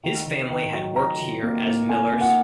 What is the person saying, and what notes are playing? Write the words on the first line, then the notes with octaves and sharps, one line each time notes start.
His family had worked here as millers.
D#3
D#3
D#3
F#3
F#3 A#5
D#3
A#3
A#3
A#3 G#5
A#3
F#5